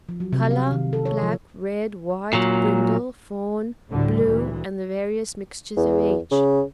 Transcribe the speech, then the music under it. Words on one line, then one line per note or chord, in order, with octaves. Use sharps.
COLOUR--Black, red, white, brindle, fawn, blue, and the various mixtures of each.
F3
F#3
C3
F5
D#3
A4
C#5
F3
A#2 F#3
D2 A2 D3 G3
D2 A#2 E3
E2
C#3